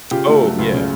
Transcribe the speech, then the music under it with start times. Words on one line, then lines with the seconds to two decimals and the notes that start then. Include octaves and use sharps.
Oh yeah.
0.11 C#3 F4 G4
0.27 A3
0.43 F#3
0.59 C#2
0.74 C#3